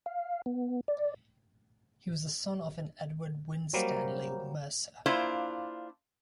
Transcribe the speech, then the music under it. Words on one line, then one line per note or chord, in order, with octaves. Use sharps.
He was the son of an Edward Winstanley, mercer.
F5
B3
D5
F#3 G3 A#3 A#4 C5 A#5
A#3 D4 E4 F4 C5 D5